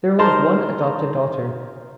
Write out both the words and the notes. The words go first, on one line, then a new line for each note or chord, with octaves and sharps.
There was one adopted daughter.
D#4 A#4 C5 A5 A#5 C6